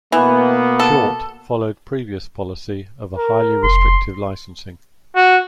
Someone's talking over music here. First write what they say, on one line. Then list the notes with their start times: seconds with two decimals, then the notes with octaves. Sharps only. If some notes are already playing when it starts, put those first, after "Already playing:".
Shortt followed previous policy of a highly restrictive licensing.
0.12 B2 E3 A#3 B3
0.79 A4
3.17 A#4
3.63 F1 C6
5.16 F#4